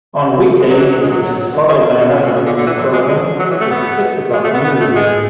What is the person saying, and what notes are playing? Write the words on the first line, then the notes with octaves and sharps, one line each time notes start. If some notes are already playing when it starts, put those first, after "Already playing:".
On weekdays it is followed by another news programme, the "Six O'Clock News".
G#3
F#3
E3
F#3
G#3
F#3
F#3
D3
C#3
B2
B2
A2
B2
C#3
D3
D3
E3
F#3
G#3
G#3
F#3
E3
A3
B3
G#3
A3
B3
B3
A3
G#3